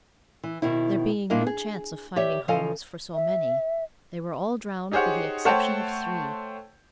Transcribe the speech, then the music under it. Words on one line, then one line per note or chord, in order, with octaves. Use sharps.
There being no chance of finding homes for so many, they were all drowned with the exception of three.
E3
B2 D#3 C4 E4
A#2 A#3 D4 E4 A#4 D#5
G#4
G4 C#5 D5 E5
C#3 F3 A4 D#5 F5 G#5
E5
D#4 G4 G#4 C5 C#5 F#5
A3 C5 C#5 F#5 G5 A5